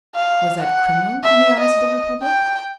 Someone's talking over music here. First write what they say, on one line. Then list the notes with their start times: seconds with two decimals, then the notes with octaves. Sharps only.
Was that criminal in the eyes of the Republic?
0.16 F5
0.63 F#5
1.24 E5
1.60 D#5
2.23 G5